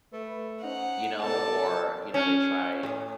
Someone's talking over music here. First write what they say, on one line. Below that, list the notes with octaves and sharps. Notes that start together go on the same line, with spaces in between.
you know or, you know, they try,
A3 B4
C#4 D#4 C5 F#5
C3 B3 A4 D5 A5
C#4
A2